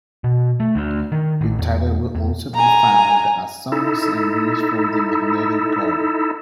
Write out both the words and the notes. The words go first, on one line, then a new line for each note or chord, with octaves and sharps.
The title will also be found as "Songs and Views from the Magnetic Garden".
B2
A3
D2
D#3
A1
E2
E2
G#5 A#5
D#4 E4 A4